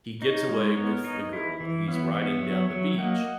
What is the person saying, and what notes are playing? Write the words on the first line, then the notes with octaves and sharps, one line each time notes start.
he gets away with the girl, and he's riding down the beach,
D#4 A#4 C#5
G#3
B3
D#4
E4
E3
B3 C#5 E5
B3
F#3
F#3
A#3 D#5 F#5